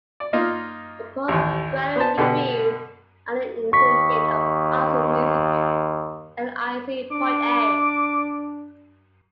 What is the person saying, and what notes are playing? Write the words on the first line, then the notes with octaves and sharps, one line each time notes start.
The postgraduate degrees are the Licentiate of Arts in Music Lic.A.
D5
A#3 D#4 F4
A1 D#2
B3 C5 A5
B2 D3 G4 B4
D#2 C#6 B6
D4 D6